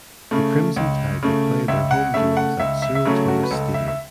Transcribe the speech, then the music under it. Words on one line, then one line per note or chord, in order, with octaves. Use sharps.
The Crimson Tide will play their home games at Sewell–Thomas Stadium.
C#3 A3
C#2
C#3 A3
C#2 E5
F#5
C#3 A3 E5
F#5
C#2 E5
E5
E5
C#3 F#3 A3 C#5
F#4
B4
C#2 A4
E5
E5